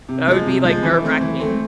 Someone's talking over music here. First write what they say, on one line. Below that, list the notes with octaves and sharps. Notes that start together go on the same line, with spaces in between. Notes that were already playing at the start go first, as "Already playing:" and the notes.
That would be, like, nerve wracking.
C3
F3 G#3
C3
F3 G#3
E3
A3 C4
E3
A3 C4